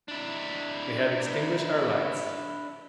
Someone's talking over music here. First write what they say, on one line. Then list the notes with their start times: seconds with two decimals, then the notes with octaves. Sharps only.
We had extinguished our lights.
0.08 D4 E4